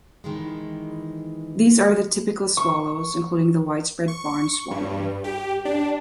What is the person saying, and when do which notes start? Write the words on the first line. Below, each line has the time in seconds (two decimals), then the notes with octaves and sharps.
These are the typical swallows, including the widespread barn swallow.
0.24 D#3 E3 G#3
2.57 C#6
4.08 C#6
4.71 G2
5.24 G4
5.65 D4